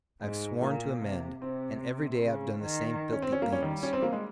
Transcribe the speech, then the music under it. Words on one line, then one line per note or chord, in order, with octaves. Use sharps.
I've sworn to amend, and every day I've done the same filthy things.
G#2 G#3
A#2 A#3
C3
C3 C4
C#3
D#3
C#4
C4
C#4
G3 A#3
C#4
D#3
C#4
C4
A#3
G#3